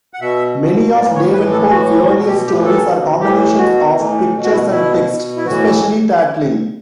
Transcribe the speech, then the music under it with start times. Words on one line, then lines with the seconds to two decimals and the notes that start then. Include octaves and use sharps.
Many of Davenport's earlier stories are combinations of pictures and text, especially Tatlin!
0.14 F#5
0.21 B2 E5
0.59 B2
0.95 A2 D5
1.00 E3
1.15 C#5
1.33 A2 E3 B4
1.52 A4
1.70 A2 E3 F#4
2.09 B2 F#4
2.27 G4
2.46 A2 G4
2.49 E3
2.65 A4
2.84 B2
3.21 A2 E3 G4
3.58 B2 F#4
3.96 A2 E3
4.34 B2
4.43 F#4
4.52 E4
4.70 B2 E4
5.09 B2
5.37 E4
5.46 A2 E3 F#4